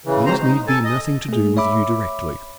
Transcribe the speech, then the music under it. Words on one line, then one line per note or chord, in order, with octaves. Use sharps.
These need be nothing to do with you directly.
C#3 E3
G#2 F#3 C4 C5 A#5
D#4
A4 G#5 A5
D#5
A3 G#4
C#5 E5 B5 D6